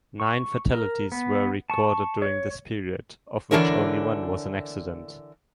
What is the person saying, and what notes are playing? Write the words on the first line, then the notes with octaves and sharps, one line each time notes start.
Nine fatalities were recorded during this period, of which only one was an accident.
C#6
A#4
B3
A5 C#6
C#5
D3 E3 D4 E4 A#4 C#5